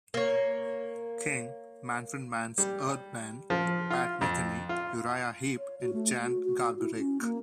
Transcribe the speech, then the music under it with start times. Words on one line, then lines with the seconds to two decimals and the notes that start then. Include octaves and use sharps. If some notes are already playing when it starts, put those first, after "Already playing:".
King, Manfred Mann's Earth Band, Pat Metheny, Uriah Heep and Jan Garbarek.
0.14 A#3 C#5
2.58 G3
3.50 F3
3.90 F4
4.21 F2
4.69 F4
5.58 C#5
5.81 F#4
5.93 A3
6.23 F#4
6.45 F#4
6.79 E4
6.97 C#4
7.21 A#3